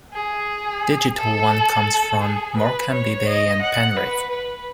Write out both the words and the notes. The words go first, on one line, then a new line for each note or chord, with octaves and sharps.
Digital One comes from Morecambe Bay and Penrith.
G#4
A4
G#4
B4
C#5
D#5
F#5
B4
B4